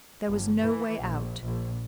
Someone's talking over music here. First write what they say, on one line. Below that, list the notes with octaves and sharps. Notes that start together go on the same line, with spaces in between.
There was no way out.
G1
E3
A#1
A#1